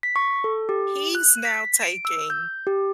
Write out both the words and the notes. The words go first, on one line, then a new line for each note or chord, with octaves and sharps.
He's now taking
B6
C#6
A4
G4
F#6
B6
D7
E6
G6
G4